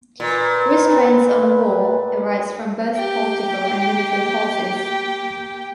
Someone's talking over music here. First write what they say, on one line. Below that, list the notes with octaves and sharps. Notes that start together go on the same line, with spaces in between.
Restraints on war arise from both political and military policies.
A#2 B4
A#3 G4 G5